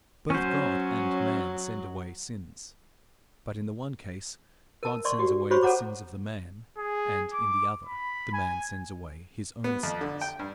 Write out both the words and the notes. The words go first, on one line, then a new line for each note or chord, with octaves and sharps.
Both God and man send away sins, but in the one case God sends away the sins of the man, and in the other the man sends away his own sins.
F#3 C#4 C5
A#4 A5
D5 C6 C#6
F#4 G4
F#4 G4 C5 C#5 B5 C#6
A4 C5 C#5 F#5 A#5 D6
G#4
D6
B5
G#5
B3
F2
D3
G5
G2